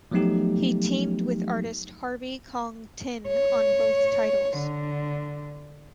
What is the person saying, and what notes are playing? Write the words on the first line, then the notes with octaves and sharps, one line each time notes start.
He teamed with artist Harvey Kong Tin on both titles.
F3 F#3 A3 B3 D#4 G4
C#5
D3